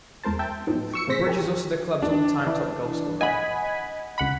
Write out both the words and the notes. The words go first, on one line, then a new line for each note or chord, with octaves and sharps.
Bridge is also the club's all-time top goalscorer.
E2 G#3 A#4 C5 A5
E5 G5 A5
A2 F3 F#3 B3 D#4
C#6 E6 C#7
A1 C3 G#4 C5 A#6 B6
G4 G#4 A#4
D4
E3
D#5 F#5 G#5 B5
C#2 F#5 B5